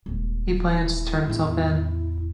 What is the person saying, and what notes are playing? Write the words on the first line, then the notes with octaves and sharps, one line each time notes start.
He plans to turn himself in.
D#1 G#3
E4
E2 A2